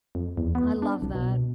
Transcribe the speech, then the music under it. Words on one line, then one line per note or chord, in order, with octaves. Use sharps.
I love that.
F2
E2
B3
D4
C2
B2